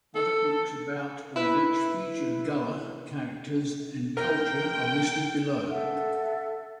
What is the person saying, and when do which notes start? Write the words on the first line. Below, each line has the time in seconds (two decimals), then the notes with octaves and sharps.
Other books about or which feature Gullah characters and culture are listed below.
0.15 A4
1.36 E4 B4
4.17 A#4 G5
5.69 A4 E5 F#5